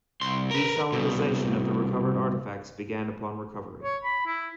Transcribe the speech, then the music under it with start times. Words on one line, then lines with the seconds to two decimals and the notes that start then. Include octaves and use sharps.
Desalinization of the recovered artifacts began upon recovery.
0.21 C2 C6
0.51 A#4 B4
0.92 C2 B2
3.84 C#5
4.04 B5
4.27 E4